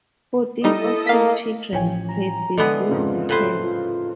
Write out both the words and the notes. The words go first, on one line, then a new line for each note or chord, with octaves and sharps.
Fourteen of her children predeceased her.
G3 D#4 E4 A4 D#5
A#3 F5 B6
A1 F3 C#5 G5 G#5
A#5
D3 E3 G#3 B3 D#5
F2 G#2 C#3 F4
A2 B4 C5
F4